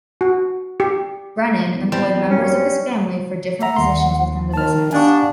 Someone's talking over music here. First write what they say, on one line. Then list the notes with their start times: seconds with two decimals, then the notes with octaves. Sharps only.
Brennan employed members of his family for different positions within the business.
0.21 F#4
0.80 G4
1.75 E2
1.92 G3 C4 A5
2.14 E2
2.30 F#2 C#4
2.44 C#4
3.62 E5 F#5 A#5
3.76 D#2 C6
4.54 D#3 A5 F6
4.93 G3 B3 D4 F5 G#5 C#6